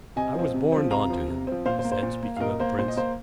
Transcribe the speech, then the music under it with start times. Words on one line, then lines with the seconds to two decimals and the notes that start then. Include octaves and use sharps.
"I was borned on to him," he said, speaking of the Prince.
0.16 C3 D#5 G#5
0.35 F3 C4
0.54 C3
0.72 F3 C4
0.91 C3 F5 A#5
1.10 F3 C4
1.28 C3
1.47 F3 C4
1.66 A#2 C5 F5
1.79 C5
1.84 A#3
1.92 C5
2.03 A#2
2.23 A#3
2.37 F5
2.40 A#2 A#4 D#5
2.60 A#3 C5
2.78 A#2 C5
2.88 D#5
2.97 A#3 C5